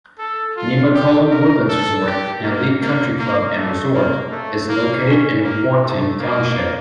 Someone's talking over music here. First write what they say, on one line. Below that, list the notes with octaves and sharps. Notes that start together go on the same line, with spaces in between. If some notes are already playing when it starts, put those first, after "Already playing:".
Nemacolin Woodlands Resort, an elite country club and resort, is located in Wharton Township.
A4
F4
G4
A#4
A4
G4
A#3
A#3
A#3
A3
A#3
A3
A#3
C#4
A#3
A3
A#3